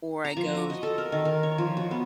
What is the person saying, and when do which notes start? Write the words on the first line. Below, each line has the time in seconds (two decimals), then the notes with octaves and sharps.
Or I go s
0.25 A#5
0.37 F3
0.55 F#4
0.70 D#5
0.83 A4
0.98 A#4
1.12 D#3
1.25 A#4
1.43 C#5
1.58 F3
1.77 F#4
1.91 B3